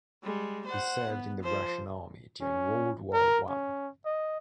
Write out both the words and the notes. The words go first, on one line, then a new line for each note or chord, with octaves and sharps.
He served in the Russian army during World War One.
G3 G#3
C5 F#5
B3
F3 C5
C#4
A#4
C#4
D#5